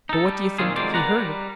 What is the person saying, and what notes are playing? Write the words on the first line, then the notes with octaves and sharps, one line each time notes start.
But what do you think he heard?
D#4 A4
G3
A#2 D#3 C4 C#4 F4 G#4
F2 F#3 G#3 C4 C5 D5
A#4 B4 D5 F#5 A#5
G3